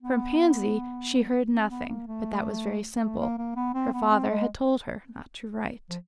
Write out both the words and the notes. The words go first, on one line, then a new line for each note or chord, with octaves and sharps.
From Pansy she heard nothing, but that was very simple: her father had told her not to write.
B3
C4
B3
A#3
A3
A3
A#3
A#3
B3
C4
B3
C4
G#3
F3